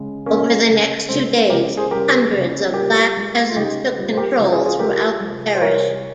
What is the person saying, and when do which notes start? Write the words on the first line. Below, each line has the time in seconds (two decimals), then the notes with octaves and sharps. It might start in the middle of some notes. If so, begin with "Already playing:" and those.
Over the next two days, hundreds of black peasants took control throughout the parish.
Already playing: C#3 G#3
0.26 A#2 F3 G#3 A#3 C#4
0.68 C#3 G#3
1.09 C#3 G#3 C4
1.50 C#3 G#3 G4 A#4
1.77 G#4 C5
1.91 C#3 G3 G4 A#4
2.33 C#3 G3
2.73 A#2 G3 G4 A#4
3.15 A#2 G#3
3.49 F4
3.56 C#3 G#3 D#4 G4
3.97 A#2 G3
4.13 C5
4.17 G4 A#4
4.38 C#3 F3 G#3
4.52 F4 G#4
4.65 F4 G#4
4.79 A#2 F3 G#3 G4 A#4
5.20 C3 F3 G#3
5.54 C5
5.61 C3 G3 A#4 C#5